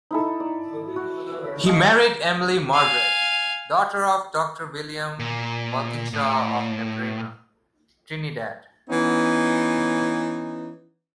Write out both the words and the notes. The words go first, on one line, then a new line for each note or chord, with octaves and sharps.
He married Emily Margaret, daughter of Doctor William Walkinshaw of Naparima, Trinidad.
D#4 E4 A4
D5
F#4
D#5 F5 A5
F5 G#5
A#2
A2
E3 B3 C#4 D#4